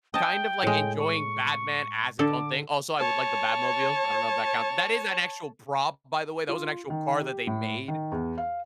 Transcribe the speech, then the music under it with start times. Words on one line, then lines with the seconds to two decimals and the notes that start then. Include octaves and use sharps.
kind of, like, enjoying Batman as its own thing. Also, I would like the Batmobile. I don't know if that count That is an actual prop, by the way. That was an actual car that they made,
0.14 D#5 G5 A5
0.63 A2 G#3
0.99 C#6
2.19 D3 A4 D6
2.98 C#5 A5
6.49 F4
6.90 D#3
7.20 G4
7.47 A2
7.88 D#3
8.12 E2
8.38 F5